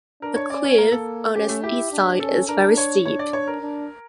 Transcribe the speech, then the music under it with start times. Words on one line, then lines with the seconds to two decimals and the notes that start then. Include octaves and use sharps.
The cliff on its east side is very steep.
0.22 D4 A#4
0.36 C#5
0.50 C#4 D5
0.64 C#5
0.78 A#3 A#4
0.92 A4
1.35 C#4 G4
1.49 A3
1.63 E4 G4
1.92 D4
2.20 C#4 A4
2.48 D4 A#4
2.77 C#5
3.05 D4 C#5
3.19 D5
3.33 C#5
3.48 A#4
3.62 D4